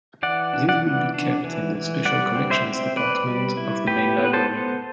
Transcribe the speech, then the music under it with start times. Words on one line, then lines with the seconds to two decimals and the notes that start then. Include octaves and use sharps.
These will be kept in the Special Collections department of the main library.
0.23 E3 D5 F#5
0.53 D4
0.69 D5 F#5
0.84 E3
1.14 D4
1.44 E3
1.75 E3
2.05 G3 D5 F#5
2.35 C4
2.51 C5 E5
2.66 C4
2.96 C4 B4 D5
3.27 G3
3.57 E4
3.87 B3 G4 B4
4.18 B3
4.25 B4
4.33 A4 C5
4.49 B3